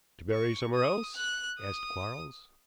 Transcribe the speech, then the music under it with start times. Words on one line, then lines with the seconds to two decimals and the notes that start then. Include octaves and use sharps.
"To bury somewhere else?" asked Quarles.
0.31 C#6
0.74 D#6
1.16 F#6
1.59 D#6